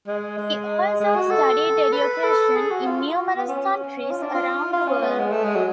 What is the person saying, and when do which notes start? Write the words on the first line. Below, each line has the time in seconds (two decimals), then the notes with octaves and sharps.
He also studied education in numerous countries around the world.
0.07 G#3
0.38 G#3
1.00 G#3
1.16 F#4
1.30 A4
1.92 B4
2.24 A4
2.55 G#4
2.71 F#4
2.86 F4
3.18 F4
3.37 B3
3.48 C#4
4.11 F4
4.22 D4
4.35 F4
4.73 F4
4.88 C#4
5.03 B3
5.19 G#3
5.32 A3
5.44 G#3
5.56 F#3